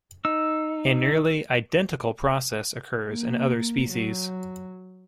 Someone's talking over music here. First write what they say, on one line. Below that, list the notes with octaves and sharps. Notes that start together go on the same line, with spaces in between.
A nearly identical process occurs in other species.
D#4 E6
A#3
F#3